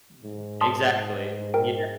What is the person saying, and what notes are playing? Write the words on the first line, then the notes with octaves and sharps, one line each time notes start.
meh exactly, yeah.
G#2
A5 C6 D#6
A#4 G5